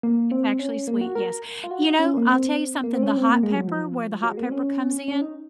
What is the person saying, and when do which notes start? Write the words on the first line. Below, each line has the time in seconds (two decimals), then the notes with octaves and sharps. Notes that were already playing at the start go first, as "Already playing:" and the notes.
It's actually sweet. Yes, you know, I'll tell you something, the hot pepper where the hot pepper comes in,
0.03 A#3
0.31 C4
0.59 C#4
0.88 A#3
1.01 F#4
1.15 A#4
1.64 F4
1.71 F#4
1.85 D#4
1.99 C#4
2.17 A#3
2.27 C4
2.84 A#3
2.93 C4
3.03 C#4
3.17 C4
3.30 A#3
3.43 G#3
3.55 F#3
3.68 F3
4.23 F#3
4.30 G#3
4.37 A#3
4.45 C4
4.52 C#4
5.08 C#4
5.22 D#4